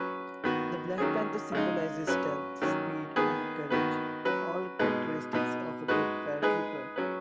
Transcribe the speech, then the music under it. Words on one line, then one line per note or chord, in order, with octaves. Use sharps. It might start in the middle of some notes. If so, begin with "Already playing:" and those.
The black panther symbolizes stealth, speed and courage, all characteristics of a good Paratrooper.
Already playing: F#3 C#4 B4
D#3 B3 F#4
D#3 F#3 C#4 G#4
C#3 G#3 D#4
F#3 C#4 B4
D#3 F#3 C#4
D#3 B3 G#4 B4
D#3 B3 F#4 B4
F#3 C#4 B4
B2 G#3 D#4 B4
B2 B3 D#4
G#3 D#4 F#4 B4
G#3 D#4 G#4 B4
F#3 C#4 B4